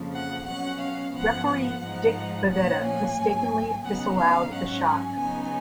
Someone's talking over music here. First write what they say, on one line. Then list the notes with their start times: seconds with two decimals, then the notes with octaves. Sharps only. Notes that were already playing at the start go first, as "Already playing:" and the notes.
Referee Dick Bavetta mistakenly disallowed the shot.
Already playing: F2 C#3 F3 A#3
0.13 F#5
0.46 B2 F#3 C#4 F#5
0.80 F5
1.14 G#2 F3 B3 F#5
1.49 F#5
1.81 G#2 F3 G#3 D#4
2.50 A#2 F3 A#3 C#4 F#5
2.84 G#5
3.17 G#2 F#3 A#3
3.85 C#3 F#3 B3 D#4 F#5
4.18 F5
4.52 G#2 F#3 C#4 F#5
4.85 G#5
5.19 C#3 F#3 B3 D#4 G#5